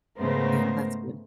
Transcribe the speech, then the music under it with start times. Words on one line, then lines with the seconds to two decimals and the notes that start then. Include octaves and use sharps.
Yeah, that's good.
0.17 G#2 C#3 A3 B3 A#4 C5